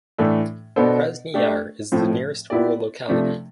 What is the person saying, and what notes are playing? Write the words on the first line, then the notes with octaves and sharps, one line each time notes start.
Krasny Yar is the nearest rural locality.
A2 E3 A3 D4 A4
B2 B3 D4 A4 C5
A3 D4 G4
A2 F3 A3 C4
B3 E4 G4 D5
C3 F3 A3 D4